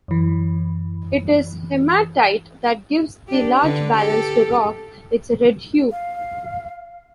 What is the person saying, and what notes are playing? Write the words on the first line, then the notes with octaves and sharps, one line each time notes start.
It is hematite that gives the large balanced rock its red hue.
F#2 E3
D4 G4
D3 B4
G4 A4
F5